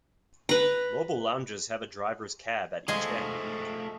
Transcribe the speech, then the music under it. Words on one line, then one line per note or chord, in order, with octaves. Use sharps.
Mobile lounges have a driver's cab at each end.
B4 A#5
F3 G#3 A3 G#4